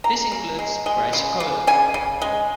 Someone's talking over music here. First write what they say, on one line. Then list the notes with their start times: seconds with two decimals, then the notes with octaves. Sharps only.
This includes chrysocolla.
0.04 C#3 A#5
0.32 C#3
0.59 G#3
0.86 G#3
1.13 C#3
1.40 C#3
1.67 C#3 G#5
1.94 C#3
2.22 G#3